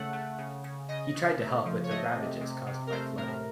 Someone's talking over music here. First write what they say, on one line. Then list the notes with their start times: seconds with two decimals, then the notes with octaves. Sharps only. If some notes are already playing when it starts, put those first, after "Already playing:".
He tried to help with the ravages caused by flooding.
Already playing: C#3 A3 F#5
0.13 A3
0.38 C#3
0.64 C#3
0.89 C#3 D#5
1.15 C#3
1.40 A3
1.65 F3
1.84 C#5
1.90 A3 D#5
2.16 C3
2.41 C3
2.66 C3
2.87 A#4
2.92 A3 C5
3.17 A2 A#4